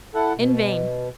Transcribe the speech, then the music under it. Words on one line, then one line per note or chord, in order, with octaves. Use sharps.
In vain!
E4 A4 F#5
B2